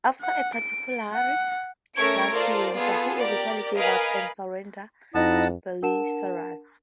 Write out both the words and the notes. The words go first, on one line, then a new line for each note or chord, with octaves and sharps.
After a particularly nasty winter, he eventually gave up and surrendered to Belisarius.
F#5
D7
F#5
A3 C#4 A#4 C#6 G#6 D7
F4 A4 A#4 C5 D5
B3 F4 G#4 A4
G4 A#4 D5
A#4 B4 D#5 F5 G#5 B5
F2 D#4 E4 D#5 F#5 A5
D4 A#4 F#5 A5 E7